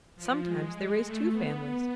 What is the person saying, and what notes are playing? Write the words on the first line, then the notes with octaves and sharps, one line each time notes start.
Sometimes they raise two families.
F3
G#3
G#3
A3
B3